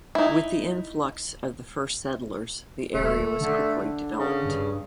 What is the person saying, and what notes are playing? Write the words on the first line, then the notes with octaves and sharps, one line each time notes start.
With the influx of the first settlers, the area was quickly developed.
D#4 E4
D#1 A3
D3
C#3
G2